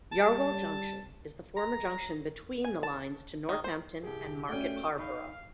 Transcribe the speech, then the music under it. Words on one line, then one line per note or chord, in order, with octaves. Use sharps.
"Yarwell Junction" is the former junction between the lines to Northampton and Market Harborough.
G3 A5
A#5
G#5
A5
D#3
C5
C2 G4 G#4
A3 C#4 F#4 D5 G5
D#4 F5 B5 C#6